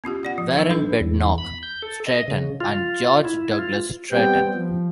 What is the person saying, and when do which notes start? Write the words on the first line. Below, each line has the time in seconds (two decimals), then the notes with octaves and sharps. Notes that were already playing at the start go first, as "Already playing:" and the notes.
Warren Badenock Straton, and George Douglas Straton.
0.04 B3 C#4 F4 G4
0.23 F4 D5 F#5
0.38 F3
0.56 F#3 B3 D#4 C5
0.70 D4 A4 B4
1.00 E2
1.38 B5
1.63 G6
1.82 A4
2.07 D#5
2.28 C#3
2.60 F4
3.25 E4
3.59 F4
4.12 G3 B3 C4 G5
4.54 F3